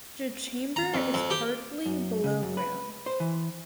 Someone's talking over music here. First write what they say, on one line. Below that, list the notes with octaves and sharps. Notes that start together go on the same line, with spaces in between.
The chamber is partly below ground.
A#5
F2
F2
G4
F#2
C#3
F#2
B4
C5
E3